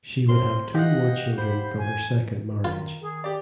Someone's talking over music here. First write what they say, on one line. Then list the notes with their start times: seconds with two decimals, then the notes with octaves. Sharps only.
She would have two more children from her second marriage.
0.29 A2 C4 A#4 C6
0.75 G4 D#5 F5 F#5
1.38 C5 B5
1.78 G#5
2.64 D#3 F4
3.01 D#3 G#4
3.24 G4 D5